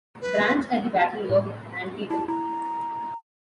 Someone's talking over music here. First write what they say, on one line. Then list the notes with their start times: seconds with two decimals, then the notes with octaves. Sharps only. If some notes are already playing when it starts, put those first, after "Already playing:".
Branch at the Battle of Antietam.
0.21 B4
1.30 A2
2.10 E4 A5
2.28 E4 A#5